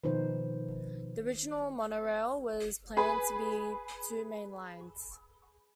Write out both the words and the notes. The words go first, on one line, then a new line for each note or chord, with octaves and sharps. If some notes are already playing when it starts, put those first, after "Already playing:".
The original monorail was planned to be two main lines.
B2 D#3 F3 D#4 B4 C5
G#4 B4 G#5 B5